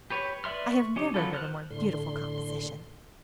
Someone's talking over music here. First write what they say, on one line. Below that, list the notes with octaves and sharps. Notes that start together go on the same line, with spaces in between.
'I have never heard a more beautiful composition.
G4 B4 C#5
B4 D5 E5 C6 F6
C#6
C#4 D#4 G4
F#3 B3 F4 G4 A4
C5 F6 F#6
A2 D3 C6